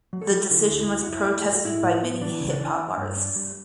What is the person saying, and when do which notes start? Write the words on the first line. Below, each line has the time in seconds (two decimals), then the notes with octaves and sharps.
The decision was protested by many hip hop artists.
0.13 F#3
0.21 A4
0.31 F#3
0.50 D3 E4
0.69 D2
0.79 E4
0.88 D2
1.02 F#4
1.07 F#2 E4
1.26 A3
1.46 A3
1.53 F#4
1.64 A2 E4
1.83 A2
2.03 B3
2.21 E3 D4
2.40 C#3
2.50 D4
2.60 E3
2.79 D4
2.97 G2
3.17 D4
3.36 G3